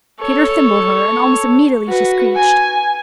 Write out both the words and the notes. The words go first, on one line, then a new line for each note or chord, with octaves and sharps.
Peter thimbled her, and almost immediately she screeched.
A4 C#5
F#4 B4
G#5